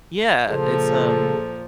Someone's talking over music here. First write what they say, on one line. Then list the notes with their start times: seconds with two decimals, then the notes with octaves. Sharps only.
Yeah, it's, um
0.50 A#2 C#3 F3 A4